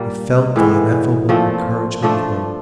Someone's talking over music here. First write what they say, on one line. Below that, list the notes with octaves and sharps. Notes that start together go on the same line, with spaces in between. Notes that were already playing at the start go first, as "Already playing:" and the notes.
He felt the ineffable encouragement of hope.
Already playing: A#2 G3 A#3 D4
A2 E3 G#3 B3
A#2 F3 A3 C4
F3 A3 D4